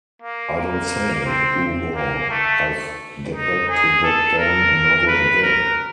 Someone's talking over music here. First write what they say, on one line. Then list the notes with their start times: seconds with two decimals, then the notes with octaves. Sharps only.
I don't say, uh oh, I've get back to that damn novel again.
0.22 A#3
0.57 A#3
1.26 C4
1.96 A#3
2.30 A3
3.34 D#4
3.69 G#4
4.04 A4
4.38 A#4
5.08 B4
5.42 A#4